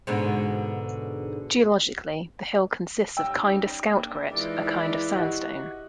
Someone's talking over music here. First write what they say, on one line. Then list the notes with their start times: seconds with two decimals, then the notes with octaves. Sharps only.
Geologically, the hill consists of Kinder Scout Grit, a kind of sandstone.
0.07 G#2 B2 D3
3.17 G3 C#4 D#4 G5 E6
3.85 A#3 D4
4.32 E3 G#3 D#4 F4 D5
5.15 F#4 G4 D#5 F#5